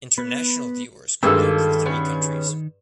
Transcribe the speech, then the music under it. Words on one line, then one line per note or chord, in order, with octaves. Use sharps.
International viewers could vote for three countries.
B3 B4
G2 D#3 G#3 A#3 F4 A4 E6
B3 C#4 G#4